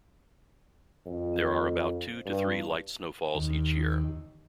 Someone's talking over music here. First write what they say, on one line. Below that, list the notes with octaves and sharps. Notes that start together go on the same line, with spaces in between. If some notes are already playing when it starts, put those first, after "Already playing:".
There are about two to three light snowfalls each year.
F2
G2
D#2